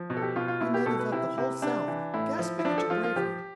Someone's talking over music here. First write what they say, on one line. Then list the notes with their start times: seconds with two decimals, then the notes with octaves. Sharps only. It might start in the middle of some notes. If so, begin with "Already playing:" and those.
You men have left the whole South gasping at your bravery.
Already playing: F3
0.10 B2
0.17 A4
0.22 G4
0.36 B2 F4
0.48 F4
0.61 B2 E4
0.74 G4
0.86 B2 A4
0.99 B4
1.12 C3 E4
1.38 C3
1.62 C3 D4
1.88 E3
2.14 A2 E4
2.39 F3
2.59 E4
2.65 F3 D4
2.78 A4
2.90 F3 F4
3.03 F4
3.16 F3 G4